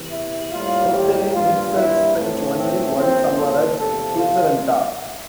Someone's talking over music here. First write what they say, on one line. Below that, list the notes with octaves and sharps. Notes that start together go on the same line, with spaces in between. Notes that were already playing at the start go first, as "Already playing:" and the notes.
Kordelin himself spent only one summer at Kultaranta.
Already playing: E2 C3 E3
E4
A2 G3 A#3 F4
G4
G2 E3 A#3 F4
E4
A2 E3 A3 C4
C4
A2 F3 A#3 C4
A4
E2 C3 F3 A3 A4
F4